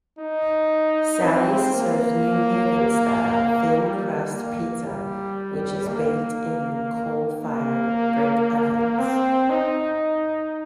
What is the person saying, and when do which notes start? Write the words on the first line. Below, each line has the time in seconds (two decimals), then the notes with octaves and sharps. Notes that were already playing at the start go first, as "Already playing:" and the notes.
Sally's serves New Haven-style thin-crust apizza, which is baked in coal-fired brick ovens.
0.19 D#4
1.22 C4
1.73 A#3
3.80 G3
4.33 A#3
4.85 G3
5.87 A#3
7.43 A#3
8.98 C4
9.49 D#4